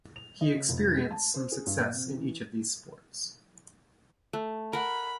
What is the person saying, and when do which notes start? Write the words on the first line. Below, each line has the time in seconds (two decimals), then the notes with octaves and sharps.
He experienced some success in each of these sports.
0.16 F7
0.41 D#5
0.56 C#3
0.69 F1
0.94 G#3
1.11 A5
1.34 C5
1.52 G#4
1.66 G2
1.79 A#2
1.94 C3
2.14 E3
4.33 A3
4.73 A#4 F#5 B5